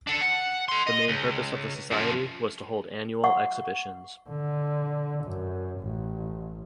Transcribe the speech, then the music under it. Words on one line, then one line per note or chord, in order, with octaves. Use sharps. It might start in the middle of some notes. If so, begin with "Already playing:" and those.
The main purpose of the society was to hold annual exhibitions.
D4 A4
F#5
F#5 C6
D#5
C#2
F#2 F3
F#5 C#6
D3
F#2
A1